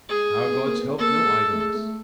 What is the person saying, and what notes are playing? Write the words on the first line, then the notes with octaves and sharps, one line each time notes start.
Our gods help no idleness.
G#3 G#4
B3
C4
A#3
B3
C4
A#3 A4
G#3
G#3
A3
G#3
A3